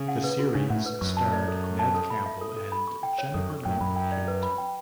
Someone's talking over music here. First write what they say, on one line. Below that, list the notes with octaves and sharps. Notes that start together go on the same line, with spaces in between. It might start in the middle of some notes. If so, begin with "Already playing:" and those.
The series starred Neve Campbell and Jennifer Love Hewitt.
Already playing: C#3 C#6
F#5
B4
F#4
C#3 D4
A2 F#5
B4
F#2 C#6
A5
D5
A4
C#6
A5
A4
B5
E5
A4
A4
B5
C#6
G5
C#5
F#2 A4
C#6
F#2 G5
F#2 B5
G5
D5
B4
B5
G5